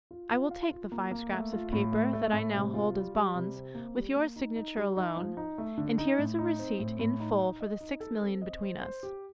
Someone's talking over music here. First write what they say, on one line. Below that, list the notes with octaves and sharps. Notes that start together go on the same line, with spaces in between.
I will take the five scraps of paper that I now hold as bonds, with your signature alone, and here is a receipt in full for the six millions between us.
F4
F4
F5
F4
A#3
A#3
A3
F4
A2
A3
A3
A2
C3
F4
G3
G3
C3
C4
A#3
G3
A#3
D#4
D#4
G3
D#4
F3
D#4
A3
D3
D#4
A2
D#4
C4
A2
A2
D#4
D#5
D#5
D#4
A4
C4
D#5
C5
C5
G4